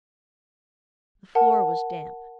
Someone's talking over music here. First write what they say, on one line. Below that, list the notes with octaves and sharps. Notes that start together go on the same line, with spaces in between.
The floor was damp.
A#4 F#5 A5